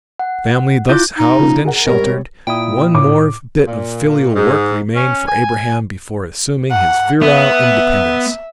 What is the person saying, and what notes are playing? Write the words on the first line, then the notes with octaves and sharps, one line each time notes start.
The family thus housed and sheltered, one more bit of filial work remained for Abraham before assuming his virile independence.
F#5
E4 F4 D6 G6
D#4
C#3 F3 A#3
G#4 A#4 F#5
G#1 G3 A#4 C#5
A#2 E4 G5 D#6
A2 D6
A#2
G#2
C#4
G#5
F#5
B3 E5